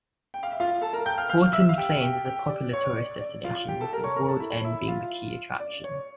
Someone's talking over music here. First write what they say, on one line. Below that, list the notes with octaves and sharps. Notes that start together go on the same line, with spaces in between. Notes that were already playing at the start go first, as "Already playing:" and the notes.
Horton Plains is a popular tourist destination, with World's End being the key attraction.
G5
F5
E5
F4 F5
A4 A5
A#4 A#5
G5 G6
F5 F6
F5 F6
E5 E6
F5
G4 G5
G4 G5
G4 G5
D5
C#5
D5
D5
F4 F5
G4 G5
A4 A5
A#4 A#5
C#5 C#6
A#4 A#5
A4 A5
E4 E5
C#5
E4 E5
F4 F5
D5
C#5